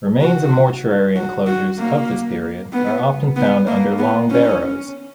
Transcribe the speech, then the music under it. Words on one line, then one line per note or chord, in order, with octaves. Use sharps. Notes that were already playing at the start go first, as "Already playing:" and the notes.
Remains of mortuary enclosures of this period are often found under long barrows.
F#4
F#4
F#4
A#3
B3
B3
A#3
B3
C#4